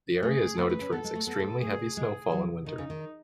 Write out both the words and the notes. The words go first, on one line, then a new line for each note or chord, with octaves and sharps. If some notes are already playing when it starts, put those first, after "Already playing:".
The area is noted for its extremely heavy snowfall in winter.
A3 G#4
B3 B4
A3
C#4
B3 A4
G#3
A3
B3 A4
A3
A3 G#4
G#3 G#4
F#3
D#3 D#4
C#3
D#3